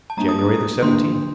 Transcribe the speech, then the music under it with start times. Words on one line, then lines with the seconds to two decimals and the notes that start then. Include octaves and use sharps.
"January the seventeenth."
0.10 A5
0.17 G3 A#3 D4 A#5
0.29 D#6
0.39 D#6
0.82 D3 F#3 A#3 D4 C6